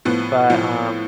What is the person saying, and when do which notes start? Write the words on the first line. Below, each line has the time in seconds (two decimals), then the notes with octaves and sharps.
But, um
0.05 A2 F3 B3
0.50 A2 F3